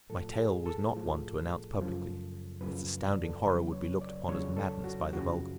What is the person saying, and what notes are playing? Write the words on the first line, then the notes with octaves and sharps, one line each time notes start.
My tale was not one to announce publicly; its astounding horror would be looked upon as madness by the vulgar.
A2 F3 A4
G#4
A4
A2 F3
F#2 C#3 F3
F#2 C#3 F3 B4
D5
A4
F2 C#3 F#3 B4
C#5
D5
F2 C#3 F#3 C#5
A4
F#4
F#2 C#3 F3 F#4